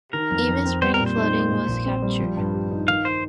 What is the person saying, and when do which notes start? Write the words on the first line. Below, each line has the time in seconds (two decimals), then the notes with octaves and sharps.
Even spring flooding was captured.
0.13 D#3 A#4
0.31 F2
0.48 F2
0.65 C4
0.82 G3 C5
0.94 A#4
1.00 A#2
1.06 C5
1.17 D#4
1.34 A#3
1.52 A#2
1.68 A#1
1.86 C4
2.02 G3
2.20 F3
2.37 G2
2.54 G4
2.71 D#4
2.88 D#3 F5
3.05 C5